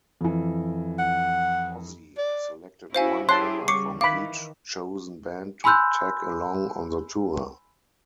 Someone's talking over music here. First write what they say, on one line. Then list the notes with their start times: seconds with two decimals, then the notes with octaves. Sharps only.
Ozzy selected one member from each chosen band to "tag along" on the tour.
0.21 F2 E3
0.99 F#5
2.18 D5
2.95 C#4 E4 F#4 C5 F5 G#5
3.29 E4 G4 G#4 C#5 A5 C6 F#6
3.68 C#3 G3 C#6 D6 C7 C#7
4.01 D#3 E3 F5 B5 D6
5.64 G#5 B5 C6 E6 F#6 G6